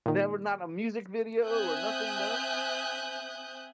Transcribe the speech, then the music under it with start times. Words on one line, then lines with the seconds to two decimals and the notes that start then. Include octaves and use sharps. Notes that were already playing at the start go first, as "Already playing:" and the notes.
Never not a music video or nothing, no?
0.06 A#2 D#3
1.47 C4 E5 G#5 D#6 F#6 G6